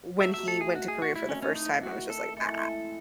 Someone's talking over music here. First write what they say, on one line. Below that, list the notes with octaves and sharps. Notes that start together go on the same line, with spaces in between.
when he went to Korea for the first time, I was just like, "Ah."
F#3 A3 D#4 E5
E5
A4
G#4
F#4
G#4
F#4
E4
D#3 A3 C4 C#4 E4
C#4
D#4
F#4
A4
A2 E3 G#3 A4